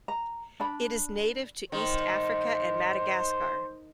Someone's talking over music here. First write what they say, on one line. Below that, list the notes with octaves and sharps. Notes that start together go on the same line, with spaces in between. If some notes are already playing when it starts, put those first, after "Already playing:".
It is native to East Africa and Madagascar.
A#5
D4 B5
D#3 C5